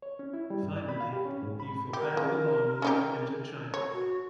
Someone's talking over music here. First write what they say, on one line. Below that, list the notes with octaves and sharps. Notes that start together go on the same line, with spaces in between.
Finally, he forbade the Lamas to enter China.
C#5
C#4
E4
G3
G2
D5
B5
F5
G4
C#4
G#2
B5
G4 A#4
C#3
C#4 D#4 G4
C#5
F#4